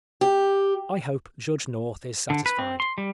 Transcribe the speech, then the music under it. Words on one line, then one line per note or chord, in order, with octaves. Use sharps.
I hope Judge North is satisfied.
G4
D3
B4
C4
C6
G3